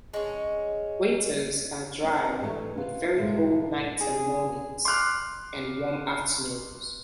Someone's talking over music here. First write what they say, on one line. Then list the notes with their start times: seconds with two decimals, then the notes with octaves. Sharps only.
Winters are dry with very cold nights and mornings, and warm afternoons.
0.14 G#3 C#4
2.03 C4 D4
2.40 A2 E3 G3 A3
2.77 B3 F4
3.17 G2 A#2 D3 G#3 E4
4.01 G#4
4.85 C6 D6 F6 F#6